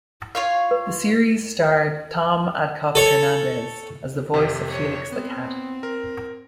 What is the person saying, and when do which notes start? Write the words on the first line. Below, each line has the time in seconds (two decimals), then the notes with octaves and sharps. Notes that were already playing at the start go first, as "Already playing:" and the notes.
The series starred Thom Adcox-Hernandez as the voice of Felix the Cat.
0.35 F4 C#5 F5
0.71 B4
2.95 A4 C#5
4.34 F2 C3
4.70 C#5
5.12 B3 C4
5.83 A#4